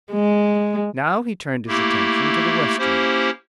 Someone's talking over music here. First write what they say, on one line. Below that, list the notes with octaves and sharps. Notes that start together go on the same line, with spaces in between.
Now he turned his attention to the western dial.
G#3
A3 A#3 E4 G4
A#3 C#4 E4 G4 C5